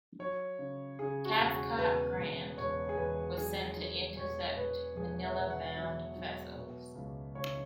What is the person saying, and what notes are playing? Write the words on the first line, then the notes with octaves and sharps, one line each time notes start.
Cathcart Grant, was sent to intercept Manila bound vessels.
F#3 C#5
C#3
C#3 G#4
F#4
E1 F#4
G#4
E2 B4
E1
E1 C#5
G#4
E2 B4
F#3 G#4
F#3
E1 C#5
E1 B4
E1 G#4
E5
B2
F#5
F#3 E5
F#3
B2
C#2
C#2 C#5